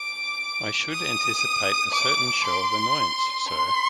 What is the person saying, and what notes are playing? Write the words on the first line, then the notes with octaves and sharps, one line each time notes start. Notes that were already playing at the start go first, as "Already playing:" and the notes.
I should anticipate a certain show of annoyance, sir.
Already playing: D6
D#6
D6
C6
C6